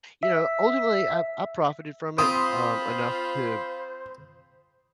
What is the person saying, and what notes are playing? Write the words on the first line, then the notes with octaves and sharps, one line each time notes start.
you know, ultimately, I I profited from it, um, enough to
E5
C4 F4 C5 B5 D#6